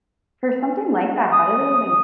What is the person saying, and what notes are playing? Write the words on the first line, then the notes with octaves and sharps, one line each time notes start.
for something like that, how do they even
D#6